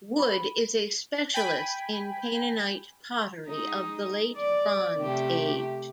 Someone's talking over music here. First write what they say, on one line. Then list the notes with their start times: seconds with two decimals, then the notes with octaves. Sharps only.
Wood is a specialist in Canaanite pottery of the Late Bronze Age.
0.19 B5
1.34 G5 G#5 B5
3.45 G#3 D#4
4.36 D5
4.97 C3 A3 G4